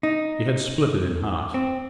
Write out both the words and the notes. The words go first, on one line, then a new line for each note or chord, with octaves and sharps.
He had split it in half.
D#4
C4